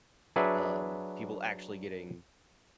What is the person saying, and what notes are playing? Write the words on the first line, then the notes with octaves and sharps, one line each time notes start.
um, people actually getting
F#3 D4 G#4 B4 E5 F#5